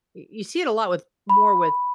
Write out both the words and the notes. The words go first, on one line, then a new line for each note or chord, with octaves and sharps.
y you see it a lot with more with
B5